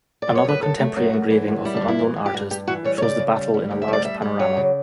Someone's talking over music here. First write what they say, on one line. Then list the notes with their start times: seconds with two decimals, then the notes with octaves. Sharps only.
Another contemporary engraving of an unknown artist shows the battle in a large panorama.
0.22 D5
0.27 F#2
0.35 C#5
0.45 F#2 B4
0.62 F#2 A4
0.79 A3
0.96 F#2 F#4
1.13 F#2
1.30 E3
1.48 F#2
1.65 G3 E4
1.77 D4
1.82 G2
1.88 E4
1.99 E3
2.16 G2
2.26 G4
2.33 G2 F#4
2.51 G2 G4
2.67 E3 F#4
2.85 G3 C#5
2.98 C#5
3.02 C#3 D5
3.19 C#3
3.36 G3
3.54 G3
3.71 D2
3.82 E5
3.88 G3 D5
4.05 G3 E5
4.22 G3
4.39 F#3 C#5
4.57 C#3